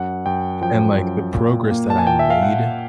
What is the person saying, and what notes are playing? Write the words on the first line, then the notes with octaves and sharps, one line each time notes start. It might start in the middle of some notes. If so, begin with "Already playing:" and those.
and, like, the progress that I made
Already playing: F#2 F#5
F#2 G5
F3 G5
F#2
A#2
A#3
A5
G#5
A#2 G5
E5
F5
A#2 F#5